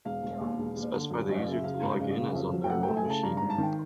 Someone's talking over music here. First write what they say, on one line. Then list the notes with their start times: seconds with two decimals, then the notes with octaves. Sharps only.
Specify the user to log in as on the remote machine.
0.05 E1 F5
0.23 E1
0.41 D#2
0.58 E1
0.76 D#2
0.93 D3
1.11 F#2
1.29 F#2
1.47 C#3
1.52 E5
1.64 C#3 F5
1.82 G#1
1.99 C#3
2.18 C#3
2.35 F2
2.53 F#3
2.64 G5
2.70 A3 F#5
2.83 G5
2.88 A3
2.97 G#5
3.05 C#3 A5
3.23 G2 A#5
3.37 G#1 A#5
3.50 A5
3.58 D#3 G5